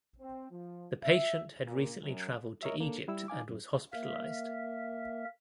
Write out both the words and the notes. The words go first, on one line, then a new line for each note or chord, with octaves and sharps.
The patient had recently traveled to Egypt and was hospitalized.
C4
F3
E5
A#2
F#2
A#4 C#5 D#5 E5
A#3 D4 A4
G3 E4 E6
D#4 F5 G#5 D6
F#2
A#3 A#4 E5